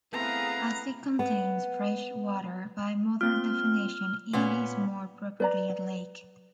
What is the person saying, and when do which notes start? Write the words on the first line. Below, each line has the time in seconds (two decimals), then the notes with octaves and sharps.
As it contains fresh water, by modern definitions it is more properly a lake.
0.13 A3 B3 C4 E4 G#4 B4 F5 A#5
1.19 B3
3.21 A#3 C4 F4 F6
4.33 A#2 B3 C#4
5.40 B4 D5 A#5